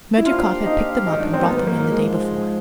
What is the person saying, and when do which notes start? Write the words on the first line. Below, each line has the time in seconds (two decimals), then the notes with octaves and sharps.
Smerdyakov had picked them up and brought them in the day before.
0.17 E4
0.25 A#3 D4 F4 G4 C5 F5
0.66 D#4
1.07 G#2 D#3 F#3 D#4
1.20 D4
1.33 C4
1.43 A#3
1.47 B3
1.67 A#3
1.88 G#2 F3 G#3